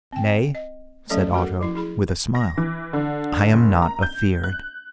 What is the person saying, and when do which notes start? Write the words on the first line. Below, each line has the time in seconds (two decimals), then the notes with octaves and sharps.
"Nay," said Otto, with a smile, "I am not afeared."
0.12 C4 G5
0.55 D#5
1.10 F#3 A3 C#4 A4 C#5 D#5
1.34 F#4 A4 A#4 F#5
1.61 F3 E4
1.75 E4 G#4 B5
2.35 A#6
2.57 E3
2.93 D3
3.53 F#1
3.82 A#5
4.03 G6
4.44 F#6